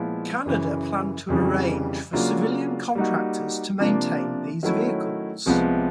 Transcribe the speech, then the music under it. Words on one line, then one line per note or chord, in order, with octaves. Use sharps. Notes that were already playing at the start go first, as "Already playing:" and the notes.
Canada planned to arrange for civilian contractors to maintain these vehicles.
Already playing: A#2 F3 G#3 B3 E4
F#2 C#3 E3
F2 C#3 E3 G3
C#3 F#3 A#3 D4 F4
G3 A#3 D#4 F#4
C3 F3 A#3 D4
D#3 F#3 A3 C#4 E4
C2 C3 F3 G#3 B3